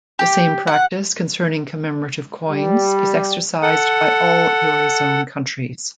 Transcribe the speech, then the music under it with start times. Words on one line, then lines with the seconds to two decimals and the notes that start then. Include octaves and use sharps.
The same practice concerning commemorative coins is exercised by all eurozone countries.
0.19 G4
0.67 F#5
2.50 G3
3.62 A4 F#5